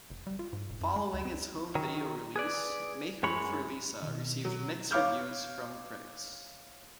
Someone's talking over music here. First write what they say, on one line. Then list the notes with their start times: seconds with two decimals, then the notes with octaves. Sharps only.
Following its home video release, "Make Room for Lisa" received mixed reviews from critics.
0.10 F#1
0.27 G3
0.39 F4
0.53 G#2
0.69 E1
0.81 F#2
0.96 G#3
1.14 D2
1.25 C4
1.75 D#3 F#3
2.36 G#4 B4 D5
3.23 F#2 G#3 C#5 B5
4.02 B2 D#3
4.45 F#3
4.91 C#5 F5 D6 F6 G6